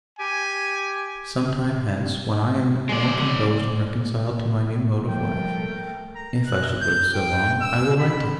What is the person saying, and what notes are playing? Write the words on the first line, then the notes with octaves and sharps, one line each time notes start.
Some time hence, when I am more composed and reconciled to my new mode of life, if I should live so long, I will write to him.
G4 G#5
G#3 D5
F3 G3 A3 A#3 A#4 G5
A#5
F#6
G6
G5
E6
B5